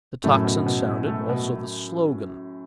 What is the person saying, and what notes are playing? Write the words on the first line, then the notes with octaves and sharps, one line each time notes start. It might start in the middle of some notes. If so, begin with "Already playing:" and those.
The tocsin sounded, also the slogan.
F#2 A2 A3
B2
B2
E4
A3
B2